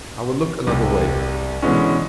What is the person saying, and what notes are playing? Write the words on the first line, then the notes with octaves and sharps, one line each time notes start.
I will look another way.
C2 C3 G4
B2 D3 E3 G#3 B3 C#4